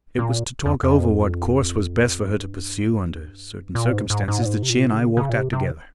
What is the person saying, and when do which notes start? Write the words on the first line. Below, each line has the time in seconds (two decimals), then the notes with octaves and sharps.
It was to talk over what course was best for her to pursue under certain circumstances that she and I walked out together.
0.19 A#2
0.66 F2
0.83 F2
2.32 G2
3.75 A#2
3.93 G#2
4.10 G#2
4.28 G#2
4.42 A#2
4.45 G#2
4.62 C3
4.69 A#2
4.94 C#3
5.17 C#3
5.29 A#2
5.34 C3
5.53 C3